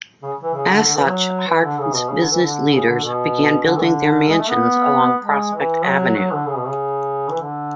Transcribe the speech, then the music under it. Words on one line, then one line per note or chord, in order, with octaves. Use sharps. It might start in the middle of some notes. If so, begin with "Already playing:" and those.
As such Hartford's business leaders began building their mansions along Prospect Avenue.
C#3
E3
C#3
D3
D3
E3
F#3
E3
D3
C#3
B2
C#3
D3
E3
D3
C#3
D3
B2
D3
E3
D3
G#3
A3
B3
G#3
E3
F#3
F#3
D3
C#3
B2
C#3
E3
D3